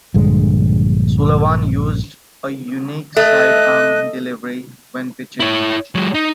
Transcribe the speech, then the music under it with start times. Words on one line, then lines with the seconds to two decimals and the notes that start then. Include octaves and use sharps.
Sullivan used a unique sidearm delivery when pitching.
0.14 A#1 G2 D3 G#3
3.17 A3 D#5 F#6
5.40 E4 C#5
5.95 F#3 G#3
6.14 D#4